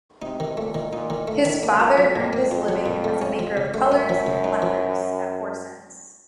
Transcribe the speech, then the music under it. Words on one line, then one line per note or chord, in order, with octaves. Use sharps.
His father earned his living as a maker of colours and lacquers at Horsens.
C3 D#4
D#3
A#2 A3
D#3
A#2 D#4
D#3
A2 A3
D#3
F#2 A#3
F4
F2 F#3
A#2
F2 A#3
F4
F#3
A#2
A3
C#4
F3
C#3
F#2 A3
C#4
F3
C#3
D#4
F3